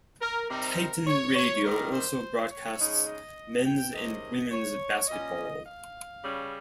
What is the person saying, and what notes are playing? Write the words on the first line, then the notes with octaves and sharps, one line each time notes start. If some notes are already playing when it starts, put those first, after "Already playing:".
Titan Radio also broadcasts men's and women's basketball.
A#4
C3 G3 C4 D#4 A#4
C#5
C#5
D#3 G3 A#3 A#4
C5
C#5
C#3 G#3 D#4
D#5
G5
C3 D#3 G#3 C#4 D#5
C#5
A#2 G3 C#4 D#5
F5
C#3 G3 C#4